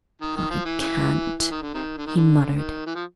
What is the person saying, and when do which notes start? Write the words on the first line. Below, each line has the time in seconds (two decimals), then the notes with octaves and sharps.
"I can't!" he muttered.
0.21 D#3
0.36 D#3
0.51 F3
0.65 E3
0.80 C#3 E3
1.39 E3
1.51 D#3
1.62 D3
1.74 C3 D#3
1.97 D3
2.06 D#3
2.16 D3
2.56 D#3
2.86 E3
2.95 F3